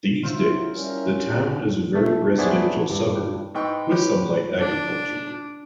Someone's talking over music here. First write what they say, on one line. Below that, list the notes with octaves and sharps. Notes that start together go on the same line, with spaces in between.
These days the town is a very residential suburb, with some light agriculture.
F#3 E4 F4 C5 E5
G3 C#4 E4 A#4
G4 G#4
A3
B3 D4 E4 G#4 C5 C#5
G2
G#2 D#4 B4 G5 C#6 E6
C#4 G4 B4
D4